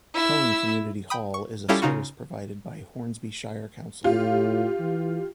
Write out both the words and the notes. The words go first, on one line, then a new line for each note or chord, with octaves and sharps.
Cowan Community Hall is a service provided by Hornsby Shire Council.
E4 E6
G5 B5 D#6
C#6
G3 C#4 E4 F4 G4 A4
C#3 D#4 F4 F#4
A2 F4 G4
E3